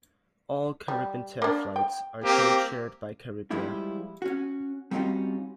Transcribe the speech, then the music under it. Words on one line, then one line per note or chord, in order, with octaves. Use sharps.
All Caribintair flights are codeshared by Caribair.
G3
A#3 D4
G5
A#3 C4 G4
F3 G3 G#3 E4 F4
C#4 F#4
G3 C4 C#4 D#4 F4 F#4